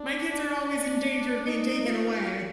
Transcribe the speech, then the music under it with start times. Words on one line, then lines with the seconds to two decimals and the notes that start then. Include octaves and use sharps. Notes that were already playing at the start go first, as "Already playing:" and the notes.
My kids are always in danger of being taken away
Already playing: D4
0.29 D4
1.46 D#4
1.86 F4